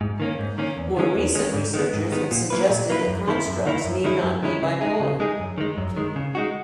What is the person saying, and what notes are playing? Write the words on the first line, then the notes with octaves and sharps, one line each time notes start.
More recent researchers have suggested that constructs need not be bipolar.
G#2
D#3 A#3 C#4
G#2
D#3 A#3 C#4
E2
D#3 G#3 C#4
E2
D#3 G#3 C#4
G#2
D#3 G#3 B3
G#2
D#3 G#3 B3
A#2
F#3 A#3 E4 B4
A#2
F#3 A#3 E4 B4
F#2
D#3 A#3 E4
F#2
D#3 A#3 E4
F#2
D#3 G#3 C#4 E4
F#2
D#3 G#3 C#4 E4
C#3
G#3 D#4 G#4
C#3
G#3 D#4 G#4
F#2
D#3 G#3
F#2
D#3 G#3
C#3
G#3 D#4 F#4